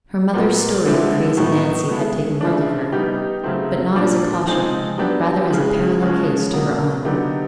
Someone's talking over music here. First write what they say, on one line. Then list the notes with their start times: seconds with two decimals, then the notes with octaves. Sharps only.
Her mother's story of crazy Nancy had taken hold of her; but not as a 'caution,' rather as a parallel case to her own.
0.34 A#2 F#3 B3
0.85 D3 F3 G#3 C4 E4
1.37 A2 F#3 B3 D#4
1.89 G#3 B3 E4 A4
2.41 C#3 F3 A3 D4
2.92 G3 B3 D#4 G4
3.44 C#3 F#3 A3 C4
3.96 A#2 F3 A#3 D4
4.47 F3 G#3 C4 D#4 G#4
4.98 F#3 B3 D4 G4
5.50 C#3 E3 G#3
6.02 C#3 F3 G#3 C#4 F#4
6.53 B2 F#3 A#3
7.05 D3 F#3 B3 D#4 G4